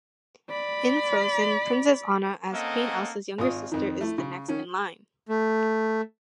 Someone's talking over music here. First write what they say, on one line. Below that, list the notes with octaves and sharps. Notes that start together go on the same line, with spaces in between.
In "Frozen", Princess Anna, as Queen Elsa's younger sister, is the next in line.
D5 B5
A#3 C4 C#4 A4 D#5 F#5
G#1 F4 D#6
F2 D#3
A3 E4
C#3
D#3 C#4
A3